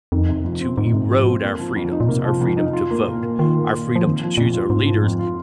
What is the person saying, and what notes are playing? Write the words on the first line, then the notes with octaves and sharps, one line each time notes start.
to erode our freedoms, our freedom to vote, our freedom to choose our leaders
F2 D#3
C3
F2
C4
G#2 D#3
A#2
G#2 C3
F2
C4
A#3
F3
F2
D#4
A#2
C3 A#3
F3
F2
D#4
F4
A#3
A#2
A#2
D#3 F4
A#3
A#2
A#2
F3
D#3 C4
F3
F2 A#2
F4
G#2 C4
F3
F2
F4